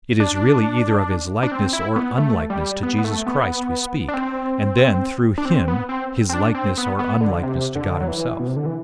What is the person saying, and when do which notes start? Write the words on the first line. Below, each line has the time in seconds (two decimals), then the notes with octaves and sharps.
It is really either of his likeness or unlikeness to Jesus Christ we speak, and then, through Him, his likeness or unlikeness to God Himself.
0.20 D4
1.43 D4
1.52 C4
1.73 E4
1.96 B3
2.18 A3
2.50 G3
2.83 B3
2.98 B3
3.04 A3
3.26 B3
4.08 D4
4.14 C4
5.38 D4
5.45 C4
5.68 B3
5.89 C4
6.29 C4
6.33 D4
6.54 C4
6.78 B3
6.99 B3
7.21 D3
7.43 C3
7.75 D3
8.01 F#3
8.08 E3
8.39 B2
8.47 C3
8.56 D3
8.66 E3